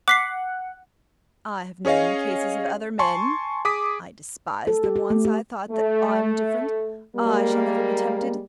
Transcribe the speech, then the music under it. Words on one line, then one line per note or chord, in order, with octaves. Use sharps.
I have known cases of other men--I despised them once, I thought that I'M different, I shall never be tempted.
F#5 D6 B6 C7
C#4 G#4 C#5 D#5 F5
G#5 A5 C6 C#6
G#4 D6 D#6 B6
A4
G4
G4
A3
G4
A3
G3 G#3 A#3